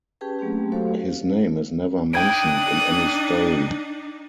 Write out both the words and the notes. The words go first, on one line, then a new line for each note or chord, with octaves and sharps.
His name is never mentioned in any story.
C#4 G4 G#4 B4 G5 A5
F#3 A3 A#3 C4 C#4 G4
A3 F#4 A4 C5 F5
D4 D#4 G5 D#6 F#6 G#6 D7